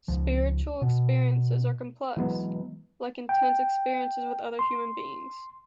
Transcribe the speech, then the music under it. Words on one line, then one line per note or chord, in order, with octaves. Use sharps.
Spiritual experiences are complex, like intense experiences with other human beings.
C#2 F3
B2
E3 F#3 G#3 B3
G5
C6